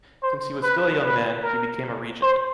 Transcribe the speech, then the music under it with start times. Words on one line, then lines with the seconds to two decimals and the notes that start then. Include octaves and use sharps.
Since he was still a young man, he became a regent.
0.23 C5
0.63 B4
1.03 B4
1.42 A#4
2.22 C5